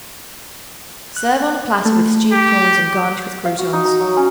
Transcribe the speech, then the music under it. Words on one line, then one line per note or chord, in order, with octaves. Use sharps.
Serve on a platter with stewed prawns and garnish with croutons.
F#6
A3
G4
F5
F#4
D#4
A#5
F#3
C#4